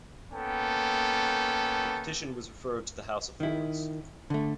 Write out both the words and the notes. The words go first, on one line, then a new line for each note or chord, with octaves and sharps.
The petition was referred to the House of Lords.
A#3 B3 C#4 A4 G5
D#3 E4
D3 A3